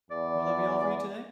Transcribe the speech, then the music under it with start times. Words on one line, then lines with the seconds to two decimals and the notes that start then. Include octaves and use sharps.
Will that be all for you today?
0.11 E2 D5